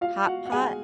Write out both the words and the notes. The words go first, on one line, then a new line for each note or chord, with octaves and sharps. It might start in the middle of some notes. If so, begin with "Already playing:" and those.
Hot pot?
F4 F5
F#4 F#5
F#5
G#4 G#5